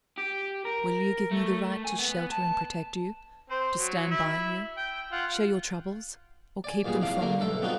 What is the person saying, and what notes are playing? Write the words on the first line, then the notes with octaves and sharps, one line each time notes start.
"Will you give me the right to shelter and protect you, to stand by you, share your troubles, or keep them from you--?"
G4
A#4
A3
G#5
B3
A5
C4 C5
F#3
E4 E5
G5
F4 F#5
D5 G#5
E2 A#2 G3 B3 G#4
E2 C3 D4 F5 D6
D3 A3 A#3 A#4
B1 G2 A4 E5
B3 C4 D4 D#4 F4 F#4